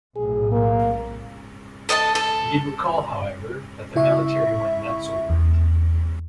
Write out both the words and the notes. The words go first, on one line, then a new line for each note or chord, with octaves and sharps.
He did recall, however, that the military went nuts over it.
B1 A2 G#4
A#3
A4 D#5 F5 A5
A4
C#3 E4 E5 C#6
E2